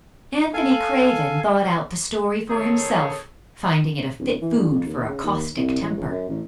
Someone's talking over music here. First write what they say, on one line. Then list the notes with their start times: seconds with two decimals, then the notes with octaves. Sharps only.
Anthony Craven thought out the story for himself, finding it a fit food for a caustic temper.
0.54 A4 F5 G#5
2.49 D#3 C4 G#4 A4 C#5
4.19 D1
4.41 E3
4.57 G2
4.70 F2
4.86 D#2
5.08 C#3
5.23 D#2
5.57 C2
5.80 A1
5.96 C#2
6.10 F#2
6.28 A1